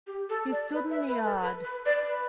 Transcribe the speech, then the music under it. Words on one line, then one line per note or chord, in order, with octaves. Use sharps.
He stood in the yard.
G4
A4
D5
B4
E5
B4
A4
B4
B4
D5
B4